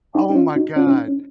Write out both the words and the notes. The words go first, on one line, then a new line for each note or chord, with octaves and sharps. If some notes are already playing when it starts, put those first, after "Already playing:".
Oh my god.
D#4
D#4
C#4 F4
D#4 F#4
C#4 F4
C#4
D#4
C#4